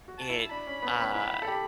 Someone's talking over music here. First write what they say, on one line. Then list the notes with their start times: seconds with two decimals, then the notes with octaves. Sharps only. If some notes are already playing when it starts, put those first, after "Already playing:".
it, uh
0.08 F#4
0.20 A5
0.30 E4
0.51 D4 B5
0.67 C#4
0.82 B3
1.00 C#4
1.14 E4
1.42 A4
1.47 G4